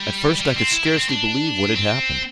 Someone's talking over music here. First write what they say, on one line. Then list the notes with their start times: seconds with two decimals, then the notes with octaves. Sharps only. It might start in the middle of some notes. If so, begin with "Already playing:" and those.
At first I could scarcely believe what had happened.
Already playing: G3
0.40 G3
0.56 C4
0.71 E4
0.85 D4
0.97 C4
1.09 D4
1.76 C4